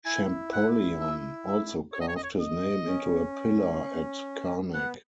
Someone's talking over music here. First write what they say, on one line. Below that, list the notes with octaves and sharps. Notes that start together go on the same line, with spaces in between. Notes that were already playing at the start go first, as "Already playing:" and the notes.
Champollion also carved his name into a pillar at Karnak.
E4 G#5
F#5
E5
E5
C#5
D#5
C#5
D#5
C#5
D#5
C#4
B3 F#5